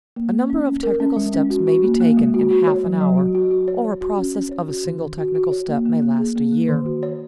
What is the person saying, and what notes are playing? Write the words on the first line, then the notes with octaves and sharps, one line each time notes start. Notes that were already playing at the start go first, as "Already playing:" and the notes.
A number of technical steps may be taken in half an hour, or a process of a single technical step may last a year.
A#3
A#3
C#4
C#4
A#4
C#4
G#3
C#4
F#4
F#4
A#3
A#3
G#3
F#4
F#4
C#5
F#3
F#3
F#4
F#4
F#4
C#5
C#5
F#4
C#4
C#4
C#5
F#4
D#3
D#3
F#4
F#4
C#5
A#3
A#3
A#3
G#4
A#3
A#3
D#3
F#4
C#5